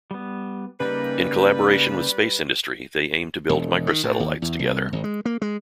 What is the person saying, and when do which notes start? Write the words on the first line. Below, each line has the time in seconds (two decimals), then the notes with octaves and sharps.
In collaboration with space industry they aim to build microsatellites together.
0.11 G3 B3
0.80 C#3 G3 A#3 D#4 B4
3.49 E1
3.87 D#3
4.04 A2
4.20 D#2
4.42 E2
4.59 C2
4.93 G#1
5.04 G#3
5.25 A#3
5.42 G#3